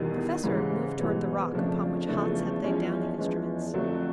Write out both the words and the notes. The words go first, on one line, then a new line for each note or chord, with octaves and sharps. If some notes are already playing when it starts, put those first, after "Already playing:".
The Professor moved towards the rock upon which Hans had laid down the instruments.
Already playing: E2 B2 D#3 G3
G#2 C#3 E3 G3
G#2 B2 E3 G3
F2 C#3 F3 A3 D4
E2 C#3 F3 A3 D4
E2 F3 G#3 C#4
E2 F3 G#3 C#4
F2 D3 F#3 A3 D4